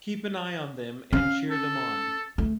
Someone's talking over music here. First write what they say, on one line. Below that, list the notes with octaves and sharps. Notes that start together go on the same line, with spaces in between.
Keep an eye on them and cheer them on.
C#4 F5
A4
A3